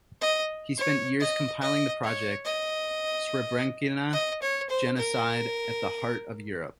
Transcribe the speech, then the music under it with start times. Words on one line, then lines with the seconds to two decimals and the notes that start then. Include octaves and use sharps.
He spent years compiling the project "Srebrenica - genocide at the heart of Europe".
0.21 D#5
0.77 C#5
1.19 D#5
1.61 D#5
2.03 C#5
2.45 D#5
4.13 D#5
4.42 C#5
4.69 C5
4.97 A#4